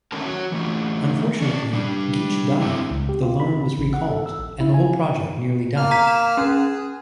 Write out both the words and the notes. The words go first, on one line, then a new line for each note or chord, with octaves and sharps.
Unfortunately, Geach died, the loan was recalled and the whole project nearly died.
D#3 A3 C#4 A#4 A5
F#4 C#5
E3 A3 F4
C#4 D5
G3 D4
A3 C4 E4
C#2
G4
F4
B5
C3
A1
F#5
A4
E6
A#1
E4
G#5
A#3 F6
A#5 B6
E7
C#4 G#4